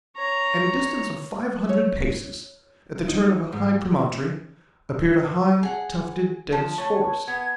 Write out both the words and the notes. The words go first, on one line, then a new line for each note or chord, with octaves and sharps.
At a distance of five hundred paces, at the turn of a high promontory, appeared a high, tufted, dense forest.
C#5 A#5
C#5
D#4
G#2
G#4 F#5
F3 A5
A3 C#5
B3 G#6